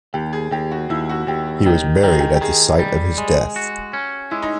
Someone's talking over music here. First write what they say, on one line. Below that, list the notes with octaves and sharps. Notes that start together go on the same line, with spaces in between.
He was buried at the site of his death.
D#2 G4
G#4
D#2 G4
F#4
D#2 E4
F#4
D#2 G4
D#3 G4
D#3 G4
G#4
G4
G4
D#3 G#4
G3
G#3
F#4
C#4
G#3 E4
D#4